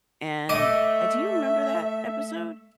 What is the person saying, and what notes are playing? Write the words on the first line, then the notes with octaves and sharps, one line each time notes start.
and uh, do you remember that episode?
A3 D#5 E5 D6